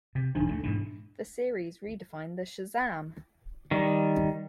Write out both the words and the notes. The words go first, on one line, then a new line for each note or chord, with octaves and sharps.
The series redefined the Shazam!
C3
E1 D#3 F3 D4 D#4
D2 F3 A3
G#2 B2 E3
D#3 G3